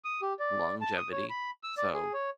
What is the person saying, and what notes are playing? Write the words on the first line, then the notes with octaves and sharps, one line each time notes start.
longevity. So,
D#6
G4
D5
A5
D#6
C#5
B5
E6
D5
G#4
C#5